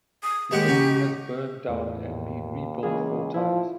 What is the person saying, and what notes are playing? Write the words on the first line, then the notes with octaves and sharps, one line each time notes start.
The city has burned down and been rebuilt four times.
D#6
D#2 G#3 G4 F#5
C#3 D#4 F#4
E2 A2
D#2
C#2 E3 A#3 G#4
F3 E4